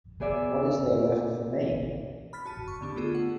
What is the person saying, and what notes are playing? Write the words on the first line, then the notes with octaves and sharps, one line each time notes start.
What is there left for me?
B3 G#4 D5 E5
B5 F6 A6 B6
F#4 A5 D#7
C#6
D3 B3 D4 G4
A3 B3 F4 G#4 A4
F#5